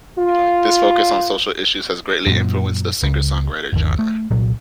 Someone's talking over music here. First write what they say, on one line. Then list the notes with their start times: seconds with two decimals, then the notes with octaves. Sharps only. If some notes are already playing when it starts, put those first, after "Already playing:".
This focus on social issues has greatly influenced the singer-songwriter genre.
0.18 F4
2.27 F#2 A#2
3.03 C#2
3.73 G1 D#2
3.99 A3
4.31 C2 A#2 F#3